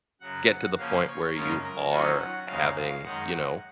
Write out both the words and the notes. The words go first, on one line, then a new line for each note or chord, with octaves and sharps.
get to the point where you are having, you know,
F#2 C#3 F#3 F#5
F#5
C#3 F3 A#3 C#4 F5
C#5
F#2 C#3 G#3 C#4 F4 A#4
A#4
D#3 F#3 C#4 F4 F#5
F#5
F#2 C#3 G#3 D#4 F5
F5
F#2 D#3 G#3 D#4 F#5